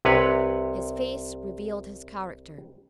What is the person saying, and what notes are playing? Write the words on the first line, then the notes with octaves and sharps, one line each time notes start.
His face revealed his character.
C2 C3 B4 C#5